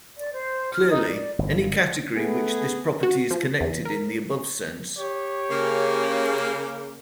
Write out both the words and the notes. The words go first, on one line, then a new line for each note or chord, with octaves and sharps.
Clearly, any category which this property is connected in the above sense.
D5
C5
F6
D#4
D5
G1
A3 B3 G#4
F#4
F3
E2
A#4
G4 C#5
C#3 A#3